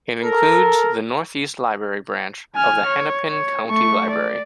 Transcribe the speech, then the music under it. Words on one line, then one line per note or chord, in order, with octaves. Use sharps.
It includes the Northeast Library branch of the Hennepin County Library.
A4 A#4
G#5 F6
C#5
C#5
A3 C#6
D5